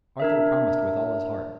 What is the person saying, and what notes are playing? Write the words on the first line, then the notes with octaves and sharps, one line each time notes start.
Arthur promised with all his heart.
D4 A#4 E5